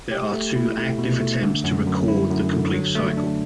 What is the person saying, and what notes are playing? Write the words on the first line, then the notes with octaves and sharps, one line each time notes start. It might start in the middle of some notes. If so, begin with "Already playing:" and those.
There are two active attempts to record the complete cycle.
G4
A3
E4
A3
B2
A3
D3
F#2
F#2
E4
F#2
D3
F#3
A3
D4